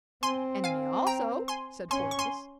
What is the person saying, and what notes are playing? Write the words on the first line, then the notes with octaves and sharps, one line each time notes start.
"And me also," said Porthos.
C4 G#5 C6
F5 G#5
G5 A#5
G#5 C6
C#4 G#5 C6
C#6
G#5 C6